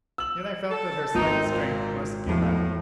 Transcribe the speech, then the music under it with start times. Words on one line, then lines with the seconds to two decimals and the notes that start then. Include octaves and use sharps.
Yet I felt that her slight strength must give out.
0.18 E6 F#7
0.70 A4
1.15 G#1 C4 D#4
1.50 A#2 C4
2.27 E2 A2 F3